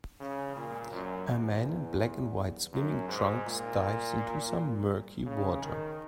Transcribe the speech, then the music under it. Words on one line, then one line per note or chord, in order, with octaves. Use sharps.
A man in black and white swimming trunks dives into some murky water.
C#3
A#2
F#2
E2
F#2
G#2
A#2
C#3
D#3